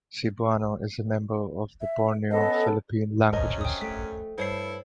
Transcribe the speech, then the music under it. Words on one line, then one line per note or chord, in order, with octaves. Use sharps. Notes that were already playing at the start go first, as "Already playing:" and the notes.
Cebuano is a member of the Borneo-Philippine languages.
E5
B3 C#4 A4 D#5
F#2 C3 F3 C#4 A#4 D#5
G5 D#6
A3 G5 B6
G2 E4 A4 C5 C#5 C7